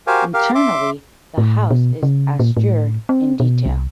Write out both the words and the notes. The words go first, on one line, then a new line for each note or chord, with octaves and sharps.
Internally the house is austere in detail.
F#4 G4 A#4 C5 F5 G#5
G4 A#4 F5
E5 C6 D6
A2
B2
C#3
A#2
A2
C4
B2
C2